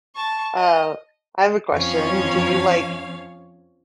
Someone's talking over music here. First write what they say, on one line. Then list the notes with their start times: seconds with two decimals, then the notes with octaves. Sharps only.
Uh, I have a question, do you like
0.15 A5 C#6
0.56 D#5
1.73 F2 F3 C#4 C#5 F5